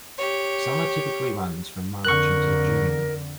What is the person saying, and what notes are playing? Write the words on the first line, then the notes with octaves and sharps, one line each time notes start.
Summer typically runs from March until June.
G4 C#5
F2 D3 A#4 C#6 F#6